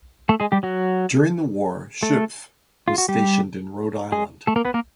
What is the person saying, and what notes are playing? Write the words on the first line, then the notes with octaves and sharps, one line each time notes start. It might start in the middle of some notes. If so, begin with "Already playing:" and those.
During the war Schoepff was stationed in Rhode Island.
A3 A4
G#3 G#4
G3 G4
F#3 F#4
A3 A4
F4
F#4
G3 G4
G#3 G#4
A3 A4
A#3 A#4
B3 B4
A#3 A#4